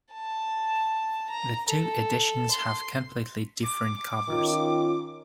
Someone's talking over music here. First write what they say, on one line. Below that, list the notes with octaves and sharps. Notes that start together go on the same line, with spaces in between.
The two editions have completely different covers.
A5
A#5
A4
C6
D6
D#3 C#4 D#4 F4